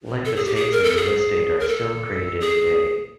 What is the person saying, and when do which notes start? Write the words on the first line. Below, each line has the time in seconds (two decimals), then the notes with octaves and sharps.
Life estates in real estate are still created today.
0.25 A4
0.36 G#4
0.45 G4
0.55 G#4
0.72 A#4
0.84 A4
0.96 G#4
1.60 A#4
1.69 A4
2.41 G#4